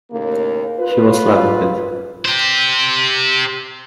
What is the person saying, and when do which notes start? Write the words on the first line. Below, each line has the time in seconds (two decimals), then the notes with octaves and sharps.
He was loving it!
0.10 D#2 A2 C#3 A#3
0.80 F4 B4
2.25 G4 C5